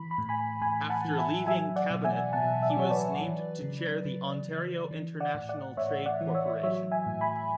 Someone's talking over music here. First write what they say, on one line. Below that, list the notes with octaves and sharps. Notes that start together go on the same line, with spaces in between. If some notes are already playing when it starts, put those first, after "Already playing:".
After leaving cabinet, he was named to chair the Ontario International Trade Corporation.
Already playing: E3 B5
B5
A2
G#5 B5
A2 G#5 B5
F#5 A5
E3
E5 G#5
F#3 E5 G#5
D5 F#5
B2
E5 G#5
B2 F#5 A5
E5
D5
F#3 C#5 E5
B4 D5
E3
C#3
C#3
E3
E3
D5 F#5
A2
D5 F#5
A2 C#5 E5
D5 F#5
E3
C#5 E5
F#3 C#5 E5
E5 G#5
A2
G#5 B5